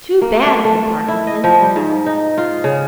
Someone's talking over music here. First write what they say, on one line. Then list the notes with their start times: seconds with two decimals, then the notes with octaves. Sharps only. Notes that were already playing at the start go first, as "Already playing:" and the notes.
"Too bad!" said Parkinson.
0.21 A#3
0.46 A3
0.65 A3
1.08 E4
1.27 D#5
1.44 F3
1.61 G3
1.76 G#2
2.06 D#4
2.38 F4
2.64 C#3